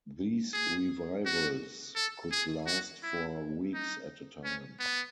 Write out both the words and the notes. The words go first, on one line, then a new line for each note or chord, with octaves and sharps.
These revivals could last for weeks at a time.
G#4
F#4
A4
G#4
F#4
E4
D#4
C#4
B3